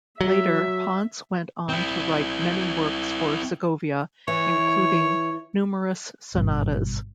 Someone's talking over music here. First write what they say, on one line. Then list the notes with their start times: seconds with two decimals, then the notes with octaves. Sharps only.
Later Ponce went on to write many works for Segovia, including numerous sonatas.
0.21 F#3 E5
1.69 C4 E4
4.28 E3 C#5
6.35 G#1 G2 B2